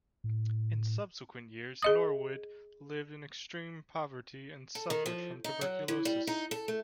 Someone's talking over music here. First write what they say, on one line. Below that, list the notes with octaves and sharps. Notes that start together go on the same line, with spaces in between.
In subsequent years, Norwid lived in extreme poverty and suffered from tuberculosis.
A2
G#4 D#5 D#6
A4
D#3
F3
D#4
F#3
E3
G3
D#4
A4
A3